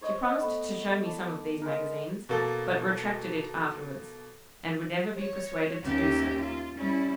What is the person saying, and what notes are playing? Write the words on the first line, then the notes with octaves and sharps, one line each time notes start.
She promised to show me some of these magazines, but retracted it afterwards, and would never be persuaded to do so.
C5 C#5 D#5
A3 B3 C#6
A5 D6
G#3 A#4
B2 A#3 A4
C#5
D#2 A#3 C#4 G4 E5
F4
G3 C#4 E4